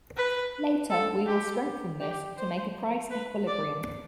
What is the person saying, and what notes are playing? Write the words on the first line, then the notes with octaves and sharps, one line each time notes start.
Later we will strengthen this to make a price equilibrium.
B4
A4
G4
G4
C5
B4
D5